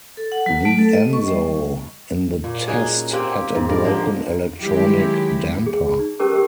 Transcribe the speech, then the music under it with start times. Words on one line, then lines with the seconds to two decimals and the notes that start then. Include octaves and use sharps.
The Enzo in the test had a broken electronic damper.
0.17 A4
0.32 F#5
0.46 F#3
0.65 A3
0.79 A4
0.94 D#5
1.13 C#6
1.28 G3
2.44 A#2
2.68 C#4 D#4 F#4 G#4
3.13 A#3 C4 G4
3.55 G#2
3.69 G2 A#4 D5
3.84 D3 F3 A#3 D#5
4.60 D#3 F#3 G#3 E4 G4
5.66 G#4
5.99 D#4
6.19 C#4 G4 A#4 B4 A5 D6
6.32 G4 A#4